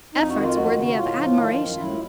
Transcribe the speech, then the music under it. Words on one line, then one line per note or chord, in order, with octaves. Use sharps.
Efforts worthy of admiration!
F2 D#4
F#4
D#3
F4
D#2 F#4
C#3
A2 F4
F3
D#3
F#2
A2 E4